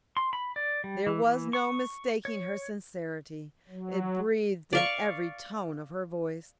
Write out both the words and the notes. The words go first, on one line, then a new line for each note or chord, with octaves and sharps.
There was no mistaking her sincerity--it breathed in every tone of her voice.
C6
B5
D5
G3
E3
E3
C#6
C#5
F#3
D5 F5 C#6